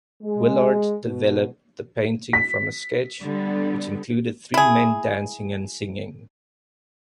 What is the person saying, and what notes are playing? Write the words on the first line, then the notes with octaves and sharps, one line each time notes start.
Willard developed the painting from a sketch, which included three men dancing and singing.
G#3
B2
B6
D3 G3 B3
E4 G#4